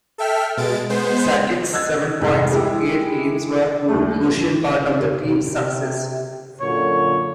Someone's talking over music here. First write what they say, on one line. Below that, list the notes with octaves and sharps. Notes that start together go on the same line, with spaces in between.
Sakic's seven points in eight games were a crucial part of the team's success.
A4 E5 G5 F6 B6
B2 G#3 A6 D7
G#3 B3 C5
D#5 E6 F#6 G#6 A6
F1 G#2
G#3 E4 G4
D#2 G3 A3
C3
F#2 A#2 D3 C#5